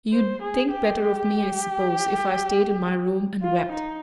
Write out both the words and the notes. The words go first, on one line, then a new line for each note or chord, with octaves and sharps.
You'd think better of me, I suppose, if I stayed in my room and wept.
C5
G#4
G4
F4
D#4